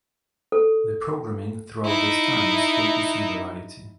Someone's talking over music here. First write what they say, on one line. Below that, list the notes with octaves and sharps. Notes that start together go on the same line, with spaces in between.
The programming throughout this time was focused on variety.
A4
D#4 E4